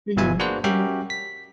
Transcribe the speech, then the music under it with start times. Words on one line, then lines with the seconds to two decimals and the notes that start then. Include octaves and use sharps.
Mhm, mhm.
0.16 G1 B2 E3 F4 E5 G#5
0.39 A#3 D4 F#4 G#4 B4 C5
0.64 C#4 F#4 G4 A#4 E5 G5
1.10 B6